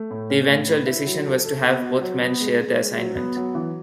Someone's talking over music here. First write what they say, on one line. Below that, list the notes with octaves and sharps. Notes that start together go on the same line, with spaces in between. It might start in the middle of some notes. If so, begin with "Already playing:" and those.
The eventual decision was to have both men share the assignment.
Already playing: A3
A2
C#4
A2
B4
E4
F#3
A4
A4
B3
F#4
F#3
B3
G#3
G#3
G#3
F#3
B3
F#3
E3